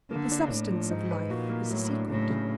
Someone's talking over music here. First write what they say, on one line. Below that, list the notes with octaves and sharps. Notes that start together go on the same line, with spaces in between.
The substance of life is a secret.
D3 A#3
D4
A2 D4
F3
G#2 D#4
B4
A#2 F#4
A#3
A2 F#3
D4
A2 C#3
C#3